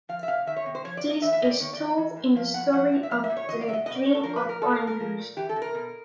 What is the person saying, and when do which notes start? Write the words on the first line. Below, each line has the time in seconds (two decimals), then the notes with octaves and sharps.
This is told in the story of the Dream of Oengus.
0.09 F3 F5
0.23 E5
0.28 C3 F5
0.46 D#3 E5
0.56 C#5
0.66 C3
0.75 C5
0.84 F3 C#5
0.97 D5
1.04 A#2
1.10 D#5
1.22 E3 E5
1.32 E5
1.42 C3 D#5
1.51 D5
1.60 D#3 C#5
1.73 D5
1.79 C3
1.98 E3
2.16 A2
2.36 F3 F5
2.54 A2 F#5
2.73 F3 F#5
2.92 C3
3.03 E5
3.11 F3 F5
3.24 E5
3.29 A#2
3.37 C#5
3.49 E3 D#5
3.61 D5
3.67 C3 E5
3.73 D#5
3.86 B2 D#5
3.95 D5
4.05 B2 C#5
4.15 A4
4.23 F3 A#4
4.36 B4
4.42 A#2
4.49 A#4
4.62 B2 A4
4.74 A#4
4.81 B2
4.87 A#4
5.00 F3
5.19 A#2
5.37 E3 G4
5.49 A4
5.56 C3
5.62 A#4
5.75 B2